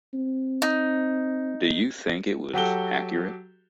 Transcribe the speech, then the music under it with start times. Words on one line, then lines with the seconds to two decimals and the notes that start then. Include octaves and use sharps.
Do you think it was accurate?
0.14 C4
0.62 D#4
2.53 F#3 F#4 G4 A4 G7